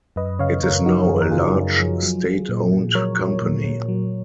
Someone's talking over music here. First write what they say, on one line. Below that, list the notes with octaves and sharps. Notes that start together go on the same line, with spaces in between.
It is now a large state-owned company.
F#2 B4 D#5
C#3 C#5 F5
F#2 A#4 C#5
F3 D#4 F#4
F#2 G#4
A#4
C#3 F4 G#4
F#2
F3
F#3
F#3
A#2
A#2
F#3 A#4 C#5
F#3
A#2
A#2
F#3